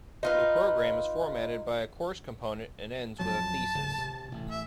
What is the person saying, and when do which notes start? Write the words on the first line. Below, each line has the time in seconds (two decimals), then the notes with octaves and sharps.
The program is formatted by a course component and ends with a thesis.
0.23 D#4 F4 B4
3.19 F2 F3 F#3 A5
3.75 D1 G#1 C#3
3.98 C3
4.32 A1
4.50 E5